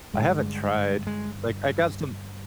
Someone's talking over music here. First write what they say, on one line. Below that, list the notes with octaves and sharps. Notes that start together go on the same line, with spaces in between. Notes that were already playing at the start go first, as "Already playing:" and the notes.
I haven't tried. Like, I got some
G2 D3 G#3
G#3